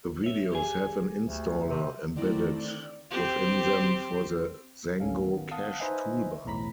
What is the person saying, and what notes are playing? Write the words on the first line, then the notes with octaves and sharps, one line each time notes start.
The videos have an installer embedded within them for the Zango Cash Toolbar.
C#5 E5
G4 G#4 G#5
D2
C3
D3 D#3 A3 C4 E4 A#4 D5
C4 G4
G#1 D2 A2 C#4 A4 F5
D#3 B3
F5 F#5 A5 D#6
D#4 B4 C5 D#5 E5 G#5
B1 E2 A2 A#5 B5 B6